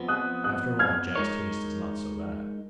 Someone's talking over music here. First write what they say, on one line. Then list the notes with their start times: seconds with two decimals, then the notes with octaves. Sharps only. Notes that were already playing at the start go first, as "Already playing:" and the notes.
'After all, Jack's taste is not so bad.
Already playing: F2 F3 B3
0.08 D#6 F#6
0.44 D#6 F#6
0.79 F6 G#6
1.15 G#3 D#4 A#4 C#5